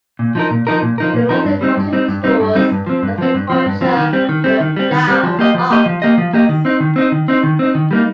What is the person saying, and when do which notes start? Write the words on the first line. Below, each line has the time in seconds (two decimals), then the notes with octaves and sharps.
The most important tools for the agriculture were the plow and the ox.
0.19 A#2
0.35 F3 D#4 A#4
0.51 A#2
0.67 F3 D#4 A#4
0.82 A#2
0.98 F3 D#4 A#4
1.14 A#2
1.29 F3 D#4 A#4
1.45 G2
1.61 G3 C4 D#4
1.77 G2
1.93 G3 C4 D#4
2.08 G2
2.24 G3 C4 D#4
2.40 G2
2.55 G3 C4 D#4
2.72 G2
2.87 F3 C4
3.03 G2
3.18 F3 C4
3.34 G2
3.50 F3 C4
3.66 G2
3.81 F3 C4
3.97 D#3
4.13 G3 C4
4.29 D#3
4.44 G3 C4
4.60 D#3
4.76 G3 C4
4.91 D#3
5.08 G3 C4
5.23 F3
5.39 A#3 G4 D#5
5.54 F3
5.70 A#3 G4 D#5
5.86 F3
6.02 A#3 G4 D#5
6.18 F3
6.33 A#3 G4 D#5
6.49 D#3
6.65 C4 D#4
6.80 D#3
6.96 C4 D#4
7.12 D#3
7.28 C4 D#4
7.43 D#3
7.59 C4 D#4
7.75 D#3
7.91 G3 A#3 D#4